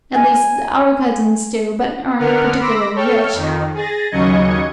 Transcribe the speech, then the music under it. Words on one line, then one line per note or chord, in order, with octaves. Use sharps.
At least, our cousins do, but aren't particularly rich.
G#5
D3 B3 A#4 F#5 F6
B5 C6 D6 E6 A#6
A4 C#5 G5 F6
F2 D#3
G#4 A6 A#6
D#2 C#3 F#3 D#5 G#6 C#7